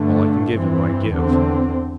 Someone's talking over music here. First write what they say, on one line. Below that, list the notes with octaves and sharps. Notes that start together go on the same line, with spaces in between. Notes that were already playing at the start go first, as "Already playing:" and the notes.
All I can give you I give.
Already playing: G2 D3 A3
G2 E3 C4
E2 D3 C4